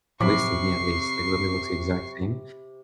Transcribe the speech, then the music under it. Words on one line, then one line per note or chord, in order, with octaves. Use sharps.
at least to me at least, like literally looks the exact same,
A2 C3 F3 F#3 B5 C#6 D6 C7